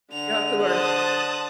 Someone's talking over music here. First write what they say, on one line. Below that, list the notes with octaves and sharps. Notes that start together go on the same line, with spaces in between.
You have to learn
D3 F7
C5 A5 D#6 F#6